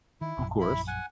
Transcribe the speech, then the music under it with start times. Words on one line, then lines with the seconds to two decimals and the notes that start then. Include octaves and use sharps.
Of course.
0.21 D#3 E4
0.38 A#1 F#2
0.61 E4 B5
0.87 F#5 G#5